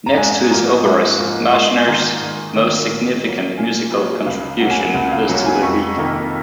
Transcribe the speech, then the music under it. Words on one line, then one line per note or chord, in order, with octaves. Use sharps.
Next to his operas, Marschner's most significant musical contribution is to the Lied.
A#5
G#2 G#5
F3 A#3 A#5
G#2
F3 A#3
C#6
G#2 C6
G#5
D#3 A#3 A#5
G#2
D#3 A#3
A#2
F#3 A#3
A#2 G#5
F#3 A#3
C#2 F5
C3 F#3 A#3 F#5
G#5
F#5
C#2 F#5
F5
C3 F#3 A#3 F#5
G#5
F2 C#6
C3 D#3 A#3